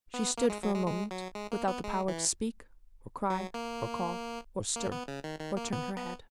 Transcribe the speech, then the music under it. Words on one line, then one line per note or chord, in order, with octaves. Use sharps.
She stood for a moment without the power to speak, or cry, or call, or stir, or turn her head.
B3
A#3
G#3
F#3
G#3
G#3
F#3
G#3
A#3
B3
G#3
E3
F#3
A#3
A#3
B3
C#3
D#3
D#3
A#3
B3
B3